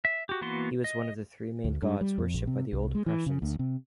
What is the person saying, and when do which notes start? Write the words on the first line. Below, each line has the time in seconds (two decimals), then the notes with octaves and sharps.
He was one of the three main gods worshiped by the Old Prussians.
0.05 E5
0.29 F#4 G4
0.41 E3 A#3 B3 F#4 C6
0.84 D#5
1.64 D2
1.82 G2
2.01 G3
2.18 F2
2.34 A#1
2.47 C3
2.73 C2
2.95 G#3
3.06 E3
3.26 C#3
3.42 D2
3.59 C3